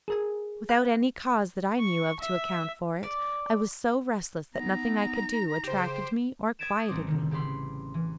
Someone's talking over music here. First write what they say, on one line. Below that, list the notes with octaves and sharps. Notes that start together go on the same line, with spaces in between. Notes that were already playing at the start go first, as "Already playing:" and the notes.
Without any cause that I knew of to account for it, I was so restless that nothing I could do attracted me or quieted me.
G#4 A#4 G#5
F5 G5 B5 F#6
C#6
E5
D5
B3 D#4 A#5
C#3 G4 C5
D#6 G#6 A6 B6 D7 E7
A1 G3 C4 D4 C5 D6
C3 D#3
C#3 G4 B5 C6
E3